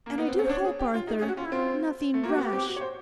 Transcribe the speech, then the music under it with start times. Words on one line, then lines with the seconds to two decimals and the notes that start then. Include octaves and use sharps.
'And I do hope Arthur--nothing rash!'
0.06 A#3
0.18 B3
0.29 C4
0.39 C#4 C5
0.49 D4 C#5
0.64 G#4
0.79 G4
0.94 F4
1.07 D#4 G#4
1.18 G#4
1.22 C#4
1.28 F#4
1.37 C#4 F4
1.45 E4
1.52 C4 F4
2.14 A3
2.23 A#3 F4
2.29 G4
2.34 F#4
2.38 B3
2.43 G4
2.53 C4
2.68 F#4
2.76 C#5
2.81 C5